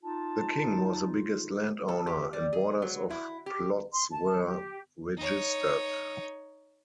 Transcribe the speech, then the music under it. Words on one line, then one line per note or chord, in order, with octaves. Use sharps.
The king was the biggest landowner and borders of plots were registered.
D#4 F4 A5
A4
G4
G3
G#4
F#3
E4
G4
C6
A5
G4
D#4 C#5